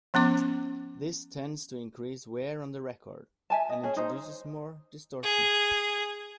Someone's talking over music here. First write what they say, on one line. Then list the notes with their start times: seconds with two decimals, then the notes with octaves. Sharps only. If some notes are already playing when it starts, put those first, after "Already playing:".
This tends to increase wear on the record, and introduces more distortion.
0.14 F3 B3 C#4 D6
3.50 E5 G#5 A5
3.69 D#5
3.84 C#4 G#4
3.96 D#4 C5
5.23 G#4